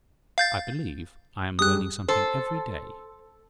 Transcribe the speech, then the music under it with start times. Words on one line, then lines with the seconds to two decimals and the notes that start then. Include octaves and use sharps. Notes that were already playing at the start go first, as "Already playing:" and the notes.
"I believe I am learning something every day."
0.38 F5 G6 A6
1.59 G2 G4 G#4 D#6 F#6
2.08 A4 C5